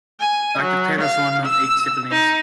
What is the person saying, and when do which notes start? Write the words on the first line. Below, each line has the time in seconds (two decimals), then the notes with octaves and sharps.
Doctor Taylor was one of eight siblings.
0.21 G#5
0.63 F#3
1.01 F5
1.47 E6
2.10 D#4